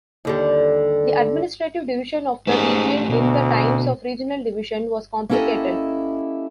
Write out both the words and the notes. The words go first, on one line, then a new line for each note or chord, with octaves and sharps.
The administrative division of the region in the times of regional division was complicated.
D#2 D3 G3
G#2 A3 C#4 G4
D2 B2
A#3 C#4 E4 G4 A4 D#5